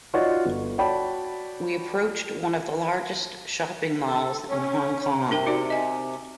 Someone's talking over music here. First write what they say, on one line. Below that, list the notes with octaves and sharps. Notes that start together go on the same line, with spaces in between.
We approached one of the largest shopping malls in Hong Kong.
D#4 F4 F#4 C#5 D5
G1
F#4 C#5 D5 G5 A5 B5
A4
C#4
C3
D4 A#4 G5
D#4 F#4 D5
D#5 G#5